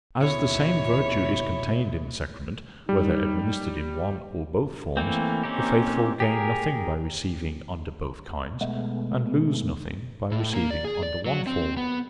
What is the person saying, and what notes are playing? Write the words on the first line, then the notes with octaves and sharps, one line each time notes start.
As the same virtue is contained in the Sacrament, whether administered in one or both forms, the faithful gain nothing by receiving under both kinds, and lose nothing by receiving under one form.
D#2 B2 E4 C#5 E5
G3 D#4
E3 A3 A#3 C4
A#3 C4 C#4 D#4 G4
G4 G#4 A#4
B2 G#3 A3 B3
A2
A#3
D5
G#4
D5
F#3
C4
B3